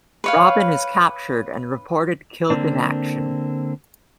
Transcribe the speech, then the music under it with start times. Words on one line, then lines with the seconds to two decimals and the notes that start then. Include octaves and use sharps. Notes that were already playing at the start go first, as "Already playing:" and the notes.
Robin is captured and reported killed in action.
0.24 B4 C#5 F5
2.50 D3 A#3 C4 D4